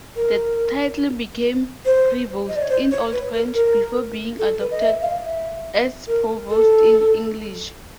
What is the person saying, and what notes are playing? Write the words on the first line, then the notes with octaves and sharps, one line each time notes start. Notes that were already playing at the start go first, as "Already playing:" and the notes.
The title became "prevost" in Old French, before being adopted as "provost" in English.
A#4
C5
D#5
D5
C#5
C5
C#5
B4
A#4
A#4
A4
B4
D#5
E5
F5
E5
A#4
A4